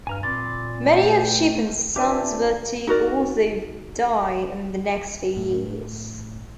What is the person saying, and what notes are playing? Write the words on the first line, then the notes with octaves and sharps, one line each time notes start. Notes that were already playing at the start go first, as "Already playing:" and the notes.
Many of Chupan's sons were to also die in the next few years.
G2 G#5 A#5 F6
A#2 C4 B5 C6 D6 A6
A3 B4 G5
D4 F4 G4 B4 C5 E5 G#5 D6
D#4 F#4 A#4 D5
A2